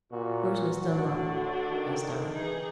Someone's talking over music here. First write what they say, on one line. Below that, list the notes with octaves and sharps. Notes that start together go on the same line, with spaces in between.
"Where's Miss Dunlop?" asked I.
A#2 F#4
A2 D3 D4
D#3
E3 D#4 G#4